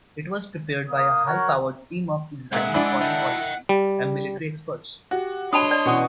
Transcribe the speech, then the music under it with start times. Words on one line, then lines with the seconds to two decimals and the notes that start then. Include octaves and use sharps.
It was prepared by a high-powered team of Israeli foreign policy and military experts.
0.90 A#3 F5 D#6
1.26 F#4 A#4 C#5 F#5
2.53 A#2 G#3 E5 F#5
2.74 G#2 D4 E4 D5
3.01 D#5 G5
3.69 G3
5.11 F#4 G4
5.53 D4 C#5 D#5 A5 B5 C6 D#6
5.71 D5
5.86 B2 E3 C#4 F#5 D#6